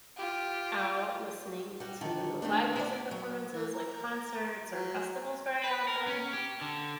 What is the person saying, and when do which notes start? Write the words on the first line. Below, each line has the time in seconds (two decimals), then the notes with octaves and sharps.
out listening to live music performances like concerts or festivals very often?
0.17 F4 G4
1.80 G3 F#4
2.01 D3 D#3
2.42 A3 C4 D4
2.76 B3 D5
3.11 F#3
3.53 E3
3.74 A#4
4.70 F#3
5.64 B4
5.88 A#4
6.07 C#4
6.33 G4
6.61 D3